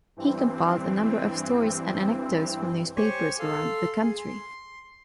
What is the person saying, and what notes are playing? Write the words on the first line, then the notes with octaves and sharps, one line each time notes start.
He compiled a number of stories and anecdotes from newspapers around the country.
G2 E3 C4
G4 C5 C#5 G#5 C#6
A4 F5 C6
G#4
C6